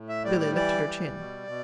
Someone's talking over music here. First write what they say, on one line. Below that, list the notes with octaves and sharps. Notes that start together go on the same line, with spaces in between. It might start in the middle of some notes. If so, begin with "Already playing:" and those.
Billy lifted her chin.
Already playing: A2
E5
G3 D5
D5
E3 D5
G3
B2
B2